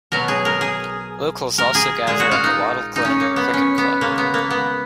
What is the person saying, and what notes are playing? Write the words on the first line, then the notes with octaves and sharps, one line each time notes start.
Locals also gather at the Wattle Glen Cricket Club.
B2 F#3 A#4
G#4
A#4
G#4
A#4
G#4
A#2 G#3 G#4
F#4
F4
D#4
D#4
C#4
A#3
B3
C#4
B3
C#3 G#3 A#3
B3
A#3
B3